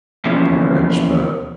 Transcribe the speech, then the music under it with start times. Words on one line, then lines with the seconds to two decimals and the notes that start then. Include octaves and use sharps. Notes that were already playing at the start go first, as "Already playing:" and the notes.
marriage, but
0.25 B2 E3 F3 A#3 B3 C#4